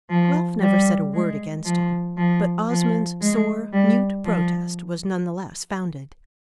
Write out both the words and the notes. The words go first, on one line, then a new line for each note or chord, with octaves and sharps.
Ralph never said a word against him, but Osmond's sore, mute protest was none the less founded.
F3
G3
G#3
F3
F3
F3
G#3
G3
F3